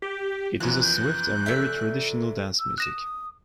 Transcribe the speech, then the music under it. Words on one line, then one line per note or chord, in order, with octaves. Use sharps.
It is a swift and very traditional dance music.
G4
F#2 E3 F3 B3 F#6
G6
A3 D5 E5
E6
D#6 F#6 A#6 E7